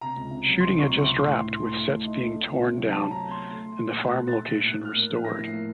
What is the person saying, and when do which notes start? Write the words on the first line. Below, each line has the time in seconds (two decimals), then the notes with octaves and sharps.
Shooting had just wrapped with sets being torn down and the farm location restored.
0.01 C3 A#5
0.17 C#2
0.31 C3
0.46 F#3
0.60 C#2 C6
0.74 C3 C#6
0.89 C#2
0.99 C3 C#6
1.18 A2 C6
1.33 A2
1.46 A2
1.61 A3
1.76 A3
1.90 A2
2.05 D#4
2.20 A3
2.34 A3
2.49 C3
2.63 C3
2.77 F#3
2.92 C3 A5
3.07 F#3 A#5
3.21 A3
3.31 A3 C6
3.50 A3
3.65 A3
3.79 A#2
3.93 A3
4.08 A#2 F#6
4.22 A#2
4.28 A6
4.37 A3
4.46 A#2 A6
4.66 A2 F#6
4.80 A2 F6
4.95 A#3
5.10 F3
5.24 A2 A#6
5.38 A2
5.43 C7
5.53 A#3